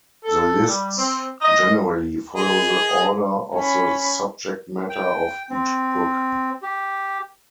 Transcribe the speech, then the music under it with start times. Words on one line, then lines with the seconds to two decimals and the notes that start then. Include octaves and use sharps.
The lists generally follow the order of the subject matter of each book.
0.23 A4
0.67 G3
0.98 C4
1.42 D#5
2.35 G#4 D#5
3.54 C#4 B5
4.90 G5
5.50 C4
6.63 G4